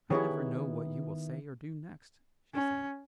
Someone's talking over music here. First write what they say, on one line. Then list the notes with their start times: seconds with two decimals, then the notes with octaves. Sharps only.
"I never know what you will say or do next," she said.
0.10 D#3 B3 E4 G4 G#4 C#5
2.54 C#4